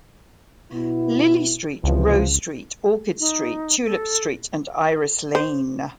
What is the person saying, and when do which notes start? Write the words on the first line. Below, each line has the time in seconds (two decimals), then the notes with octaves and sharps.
Lily Street, Rose Street, Orchid Street, Tulip Street, and Iris Lane.
0.72 B2 B3 E4
1.84 C#2 C3 E3 F3
3.19 D#4
3.84 A4
5.35 C5